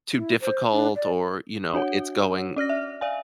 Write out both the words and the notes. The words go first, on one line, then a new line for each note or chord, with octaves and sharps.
too difficult or, you know, it's going
E4
C5
D4
D5
D4 F#4 C#5 F#5
C#4 D5 F6 A#6
E5
D5 F5 G#5